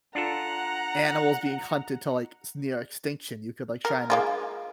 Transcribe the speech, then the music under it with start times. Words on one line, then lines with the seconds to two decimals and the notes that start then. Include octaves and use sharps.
animals being hunted to, like, s near extinction, you could, like, try and, like,
0.15 D4 F4 A4 F#5 A#5
3.85 A#4
4.10 G#3 A#3 F4